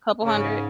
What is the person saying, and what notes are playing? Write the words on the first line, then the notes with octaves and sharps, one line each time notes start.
couple hundred.
G#2 C#3